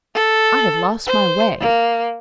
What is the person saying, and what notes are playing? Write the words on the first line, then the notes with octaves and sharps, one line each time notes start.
'I have lost my way.
A4
C5
A#3